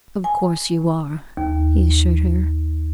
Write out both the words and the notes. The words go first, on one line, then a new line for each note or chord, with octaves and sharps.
"Of course you are," he assured her.
G#5
D#2